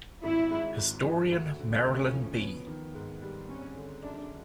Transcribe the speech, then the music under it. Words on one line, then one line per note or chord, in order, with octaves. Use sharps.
Historian Marilyn B.
G#1 E4
G#2
G#1
F3
D2
D3
D2 C#4
F3
B3
D#3
G#2
G3
C4 C#4
D3
F#2 D4